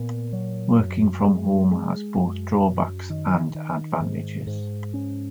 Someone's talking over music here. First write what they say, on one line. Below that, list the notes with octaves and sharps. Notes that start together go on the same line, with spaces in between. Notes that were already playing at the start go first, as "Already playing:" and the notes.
Working from home has both drawbacks and advantages.
Already playing: A#2 B3
F#3
F#2
G#3
G#3
F#2
F#2
D#3
D#3
G#2
G#2
C#4